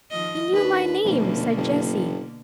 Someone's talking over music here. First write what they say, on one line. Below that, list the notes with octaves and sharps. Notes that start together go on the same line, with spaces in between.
"He knew my name," said Jessie.
D#3 F3 D#5
D#2 D4 B4
F1 B2 D3 A#3
F#1